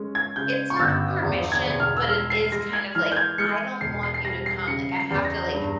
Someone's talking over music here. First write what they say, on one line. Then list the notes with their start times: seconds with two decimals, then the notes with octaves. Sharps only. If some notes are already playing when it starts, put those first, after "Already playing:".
"It's not permission, but it is kind of like, I don't want you to come. Like, I have to, like,
Already playing: G#3 C#4
0.15 G#6
0.36 C#3 G6
0.70 C#6
0.79 G1 E6
1.23 E2
1.52 G#6
1.66 E1
1.80 F6
1.97 E6
2.08 G#3 F6
2.30 C7
2.52 G#3 A#6
2.73 G#6
2.95 E3 F6
3.12 G6
3.16 G#6
3.38 G#3 C#7
3.81 E1 C7
4.03 C7
4.14 C7
4.24 G3 A#6
4.46 C7
4.67 C#3 C#7
4.96 C7
5.11 E2
5.25 A#6
5.54 G2